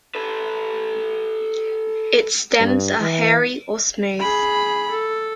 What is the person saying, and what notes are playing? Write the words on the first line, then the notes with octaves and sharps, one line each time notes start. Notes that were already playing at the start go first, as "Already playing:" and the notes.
Its stems are hairy or smooth.
A4 B4
G2
E3
G#4 B5
A4